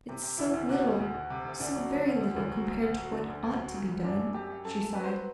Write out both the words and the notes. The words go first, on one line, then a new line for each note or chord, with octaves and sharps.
"It's so little--so very little compared to what ought to be done," she sighed.
C3
C3
D2 E4
D2
C3 F#4
D2
D2
D2
C3
D2
D2 D4
F#3
D3
D2
D2
D2
F#3
D2
D2
F#3
D3
D2
D2
F#3
D2
D2
F#2 D4
F#2
F#2 G4
F#2
F#2 A4
F#2
F#3 B4
C5
B4